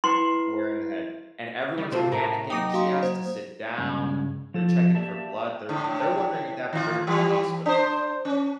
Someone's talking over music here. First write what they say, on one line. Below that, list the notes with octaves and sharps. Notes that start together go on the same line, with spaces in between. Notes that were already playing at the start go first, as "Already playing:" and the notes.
Square in the head. And everyone's panicking, she has to sit down, they're checking for blood, they're w they're wondering if they have to bring her to the hospital.
E4 B4 C6 C7
G3
C3 F4 A4 C5
A2 A#4 A5
F#3 A#3 D#4 G5 D6 D#6 A#6
F#4 F5 C6
C5
G2 C#3 G#3
F3 A4
A#3 G4 D5 E5 A5
A2 D3
A2
D#3 F4
E3 G3
D4 C5
C#4